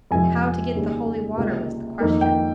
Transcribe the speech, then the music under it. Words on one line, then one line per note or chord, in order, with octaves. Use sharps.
How to get the holy water was the question.
F2 C3 F3 G#5
D#2 C#3 G3
C#2 C3 G3 A#3
F2 D#3 A#3
G5